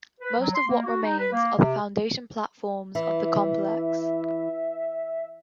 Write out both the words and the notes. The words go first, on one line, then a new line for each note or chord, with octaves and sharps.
Most of what remains are the foundation platforms of the complex.
B4
F#3
C6
A#3
F#4
D#4
B4
A#3
C3
E3 E5